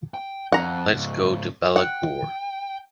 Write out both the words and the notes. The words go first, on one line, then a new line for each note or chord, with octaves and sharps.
Let's go to Balaguer.
G5
F2 F#5 A#5
G#2 C#3
F#5 G5